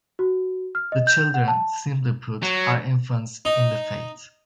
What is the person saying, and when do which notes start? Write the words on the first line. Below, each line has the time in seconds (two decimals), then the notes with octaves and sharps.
The Children, simply put, are infants in the faith.
0.19 F#4
0.75 F6
0.92 D#5
1.07 G6
1.34 F#5
1.48 A5
2.43 F#3
3.45 D#4